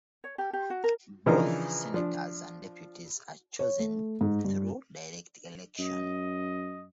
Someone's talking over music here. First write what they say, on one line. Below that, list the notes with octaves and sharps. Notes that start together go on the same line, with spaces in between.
Both senators and deputies are chosen through direct election.
C#5
G4
G4
F#4
A#4
C#3 E3 F3 D4 D#4 A#4
F3 D4
C#5
A3
G#2
G2
F#2 D#5